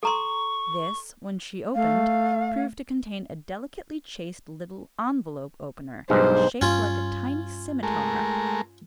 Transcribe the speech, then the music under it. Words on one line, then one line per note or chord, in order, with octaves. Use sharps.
This when she opened proved to contain a delicately chased little envelope opener, shaped like a tiny scimitar.
A4 A#5 C6 C#6
A3 F5
B1 G2 G#3 C5
G2 C#4 F4
G#3 A3 A#4